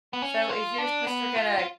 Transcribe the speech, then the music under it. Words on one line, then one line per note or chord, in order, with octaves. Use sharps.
So, is your sister gonna
B3
C#4
F4
D4
B3
F4
F4